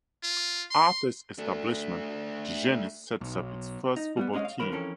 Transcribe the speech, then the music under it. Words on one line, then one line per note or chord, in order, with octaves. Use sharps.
After its establishment Digenis sets up its first football team.
F4
C6
A3 D4
B1
D#4
G3 A3 B3
A#2 G#3 C#4 G#4 D#5 F5
F5
D#2 D3 E3 F3 A#4 B5
F2 E3 C#4 F4 A4 A#4